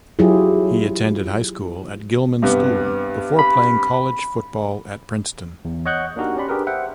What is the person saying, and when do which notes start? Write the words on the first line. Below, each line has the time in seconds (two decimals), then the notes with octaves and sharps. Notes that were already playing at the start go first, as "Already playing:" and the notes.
He attended high school at Gilman School before playing college football at Princeton.
0.19 F#3 E4 F4 G4 G#4
2.42 G2 C3 B3
3.39 B5
5.65 E2
5.86 C#5 D#5 F#5 C#6 F#6 G6
6.16 A#3 D4 D#4 F#4 G4 A#4
6.36 C#4 G4 D5 B5 C6
6.48 D4 G4 G#4 A#4 B4
6.67 C5 E5 F#5 G5